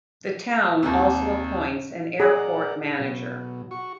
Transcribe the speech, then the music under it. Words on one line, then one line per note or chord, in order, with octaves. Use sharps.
The town also appoints an Airport Manager.
D#2 C3
G#4 A#4 D5 F#5
B2 F#3
F#4 C#6